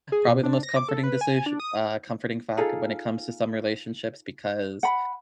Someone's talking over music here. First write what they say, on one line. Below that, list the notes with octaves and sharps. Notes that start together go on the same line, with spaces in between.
probably the most comforting decis uh, comforting factor when it comes to some relationships because,
G#4
B2
D4
A#6
D6
A4
B4
G#5
D4
D#6
D#4 F4 G#4 A4
F#5 B5